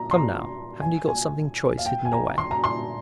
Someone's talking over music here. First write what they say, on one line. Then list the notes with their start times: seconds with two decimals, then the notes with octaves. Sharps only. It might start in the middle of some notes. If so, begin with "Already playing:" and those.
Come, now, haven't you got something choice hidden away?'
Already playing: A#5
0.11 C6
0.16 A#5
0.82 G#5
1.08 G#5
1.78 F5
1.86 G5
2.05 G#5
2.12 A#5
2.38 C6
2.51 A#5
2.64 C6